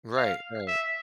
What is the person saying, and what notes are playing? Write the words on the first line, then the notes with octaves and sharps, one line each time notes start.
Right. Right.
F5
E5